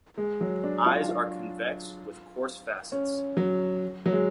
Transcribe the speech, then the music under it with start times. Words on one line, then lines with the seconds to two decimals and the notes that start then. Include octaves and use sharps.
Eyes are convex with coarse facets.
0.18 G#3
0.41 F#3
0.64 D4
0.86 F4
1.09 F4
2.92 C#4
3.37 F#3
4.06 F#3
4.13 G#3